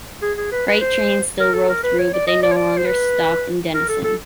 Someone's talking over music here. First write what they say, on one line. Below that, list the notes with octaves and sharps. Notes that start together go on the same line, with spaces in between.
Freight trains still roll through, but they no longer stop in Dennison.
G#4
G#4
B4
B4
C5
A#4
A4
A#4
B4
C#5
D5
D#5
D5
C#5
D5
C5
B4
A#4
A4
A4